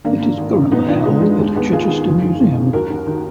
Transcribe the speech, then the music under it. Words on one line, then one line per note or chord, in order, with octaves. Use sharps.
It is currently held at Chichester Museum.
G#1 A#3 D4
D3
G#1
F#2
A#1 B3 D#4
D#3 D4 F4
A#1 G#3
G#2 G#3
D#2 G#3
D#2 G#3 B3
D#3 F4 G#4
D#3
F#1
D#3
F#1
F#2
D#2 F#4 A#4
D#2
D#3